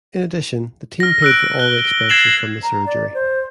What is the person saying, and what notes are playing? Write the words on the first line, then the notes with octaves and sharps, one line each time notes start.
In addition, the team paid for all the expenses from the surgery.
F6 A#6
E6 F#6 D7
F#6 G7
G7
G#6 A6 C7 E7 F#7
A#5
D5
C5